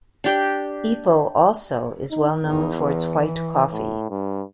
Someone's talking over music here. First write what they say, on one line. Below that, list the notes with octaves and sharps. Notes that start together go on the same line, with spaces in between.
Ipoh also is well known for its white coffee.
D4 G4 G5
D#4
E2 D#4
E3
A2
G2